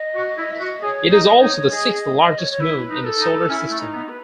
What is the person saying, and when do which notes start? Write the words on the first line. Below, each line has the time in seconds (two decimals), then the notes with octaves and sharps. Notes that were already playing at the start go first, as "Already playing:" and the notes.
It is also the sixth-largest moon in the Solar System.
Already playing: D#5
0.15 F#4
0.38 E4 D#5
0.50 E5
0.60 F#4 D#5
0.82 G#4 C#5
1.08 C#5
1.11 D#4 D#5
1.41 D#4 C#5
1.71 G#4 D#5
1.94 D#5
2.15 D#5
2.38 C#5
2.50 C#5
2.60 E4 B4
2.90 D#4
3.04 A4
3.19 D#4
3.48 C#4 E4
3.71 A3
3.78 D#4
3.94 B3
4.08 B4